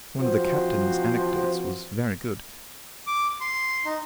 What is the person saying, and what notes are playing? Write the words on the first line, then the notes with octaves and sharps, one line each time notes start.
One of the Captain's anecdotes was very good.
E3 F3 C4 F#4 C5
D6
C6
D#4